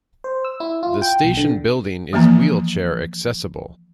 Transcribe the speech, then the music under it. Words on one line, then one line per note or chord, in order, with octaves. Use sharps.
The station building is wheelchair accessible.
C5
E6
E4
F4
G5
B1
D3
E3 F3 A#3 A#5